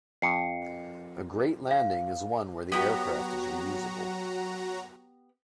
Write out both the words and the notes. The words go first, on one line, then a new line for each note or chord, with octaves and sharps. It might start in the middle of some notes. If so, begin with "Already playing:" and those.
A great landing is one where the aircraft is reusable.
F2 C7 C#7
F5
F#3 B3 E4 F#4 G4 A#5